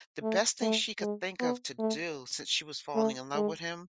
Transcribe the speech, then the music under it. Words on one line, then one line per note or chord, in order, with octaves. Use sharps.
the best thing she could think of to do, since she was falling in love with him,
A3
A3
G#3
B3
A3
A3
G#3